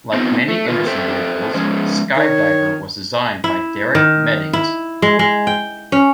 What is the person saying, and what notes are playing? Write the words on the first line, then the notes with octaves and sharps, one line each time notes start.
Like many Anderson vehicles, Skydiver was designed by Derek Meddings.
B3 C4 D#4 F4 C5
A3
D#3 F4 B4
C4 A4 C5 E5 G5
F3 G#3 C#4 C5
D#3 C#5
E4
D#3
E4
G#3
G#3
G5
C#4